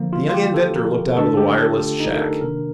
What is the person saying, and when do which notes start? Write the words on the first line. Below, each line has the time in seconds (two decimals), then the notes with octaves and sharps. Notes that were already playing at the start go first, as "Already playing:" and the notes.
The young inventor looked out of the wireless shack.
Already playing: D3 F3 A#3
0.13 F4
0.29 F4
0.34 G4
0.54 A4
0.76 A#4
1.17 D3 A3 D4 A4
1.37 G4
1.58 A4
1.80 F4
2.00 D#4
2.16 A#4
2.21 A4
2.41 C3 D#3 A#3 D4 A#4